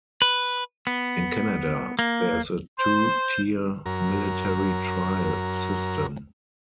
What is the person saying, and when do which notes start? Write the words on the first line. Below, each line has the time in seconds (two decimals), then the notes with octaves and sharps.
In Canada, there is a two-tier military trial system.
0.22 B4
0.87 B3
1.99 A#3
2.79 C5 C6
3.86 F#2 A#4